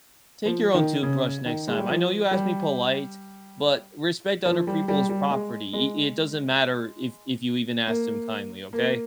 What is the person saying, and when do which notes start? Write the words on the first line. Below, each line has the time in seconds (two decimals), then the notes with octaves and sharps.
take your own toothbrush next time, I know you asked me polite, but respect other people's property, i it doesn't matter if if you even asked him kindly, okay?"
0.46 F3
0.74 D#3
1.03 C#3
1.46 D#3
1.67 G#3
1.78 G3
1.89 F3
2.31 G3
4.46 F3
4.67 G3
4.88 G3
5.09 G3
5.31 G#3
5.73 G#3
7.87 A#3
8.73 A#3